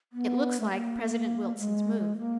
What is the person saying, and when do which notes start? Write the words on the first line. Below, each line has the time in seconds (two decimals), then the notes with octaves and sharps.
It looks like President Wilson's move.
0.13 B3
0.60 A3
0.71 A#3
1.54 A3
1.58 G#3
2.18 A#3